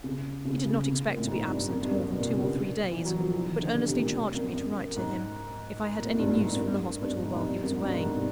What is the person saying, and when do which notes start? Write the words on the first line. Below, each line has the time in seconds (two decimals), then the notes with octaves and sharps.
He did not expect to be absent more than two or three days; but earnestly charged me to write to him, if I had any news from the hospital while he was away.
0.04 C#3
0.45 C#3
0.65 C#3
0.86 C#3
1.07 A#2
1.17 A2
1.27 G#2
1.48 G2
1.68 F#2
1.83 G2
1.89 F#2
2.09 B2
2.19 A#2
2.30 C#3
2.40 C3
2.91 E3
3.05 F#3
3.19 F3
3.32 E3
3.46 D#3
3.60 D3
3.73 C3
3.87 C3
3.95 A#2
4.01 A2
4.35 F#2
4.55 F#2
4.96 G#2
5.98 A#2
6.05 A2
6.12 G#2
6.19 G2
6.33 A2
6.40 G#2
6.55 F#2
6.61 G2
7.02 G2
7.23 G#2
7.35 G#2
7.43 G2
7.63 F#2
7.77 G#2
7.83 G2
7.93 G#2
8.04 G#2
8.14 C3